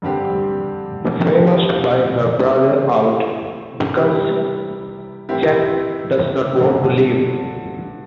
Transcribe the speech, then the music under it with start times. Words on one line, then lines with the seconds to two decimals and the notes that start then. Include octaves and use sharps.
Fay must buy her brother out, because Jack does not want to leave.
0.02 G2 D3 G3 C4 G4
1.33 A2 A3 E4 G4
2.66 E3 C4 G4
3.96 C3 E3 G3 E4 G4
5.29 A2 E3 C4 E4 G4
6.60 G2 D3 A3